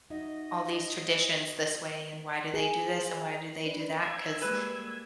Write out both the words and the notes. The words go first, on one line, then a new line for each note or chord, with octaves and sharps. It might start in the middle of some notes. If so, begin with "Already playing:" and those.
all these traditions this way? And why do they do this, and why do they do that?" 'Cause
F#3 D#4 D#5 E5
G#4
D4 B4
E6 G#6
G3 G#3 A#3 B4